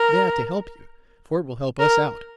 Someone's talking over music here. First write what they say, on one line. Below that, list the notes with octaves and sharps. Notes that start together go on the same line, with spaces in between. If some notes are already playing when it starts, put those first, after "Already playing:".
They ought to help you, for it will help us out.
Already playing: A#4
A#4